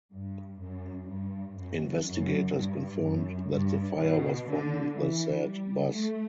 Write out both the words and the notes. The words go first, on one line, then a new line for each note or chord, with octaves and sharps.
Investigators confirmed that the fire was from the said bus.
G2
F#2
G2
F#2
F#2
G2
F#2
G2
B2
D3
E3
G3
A3